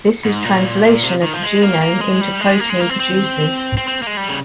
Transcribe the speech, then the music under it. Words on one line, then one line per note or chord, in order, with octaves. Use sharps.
This is translation of the genome into protein produces.
G#2
A#2
C3
D#3
F3
G#3
A#3
A#3
G#3
G3
G#3
A#3
G#3
A#3
C4
C4
C4
C4
A#3
G#3
G3
C#3